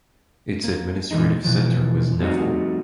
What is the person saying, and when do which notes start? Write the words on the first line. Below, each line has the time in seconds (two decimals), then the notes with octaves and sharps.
Its administrative centre was Nevel.
0.64 A#3
1.11 A#2 E3 F3 G#3 D#4
1.44 B2 E3 F3
2.19 F3 G3 A3 C4 D#4 F#4